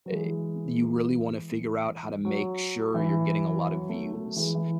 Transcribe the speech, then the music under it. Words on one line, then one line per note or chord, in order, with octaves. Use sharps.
Eh you really wanna figure out how to make sure you're getting a lot of views,
F#3
E3 G#3
F#3
E3
F#3
F#3 A3
F#3 A3
E3 G#3
E3